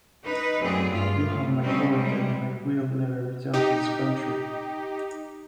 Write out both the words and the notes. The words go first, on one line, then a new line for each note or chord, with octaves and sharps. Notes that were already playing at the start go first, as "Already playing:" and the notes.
You have my word that I will never return to this country.
D#4 B4
F#2 A3 C4 G#4 D5
G2 F4
A2
G3 C4 C#4 D#4
C3 G3 G#3
D#4 G4